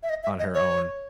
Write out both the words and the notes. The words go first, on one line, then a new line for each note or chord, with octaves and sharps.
on her own.
E5
D#5
E5
D#5
C#5